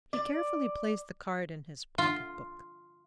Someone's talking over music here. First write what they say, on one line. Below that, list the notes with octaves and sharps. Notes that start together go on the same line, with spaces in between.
He carefully placed the card in his pocket-book.
D5
F4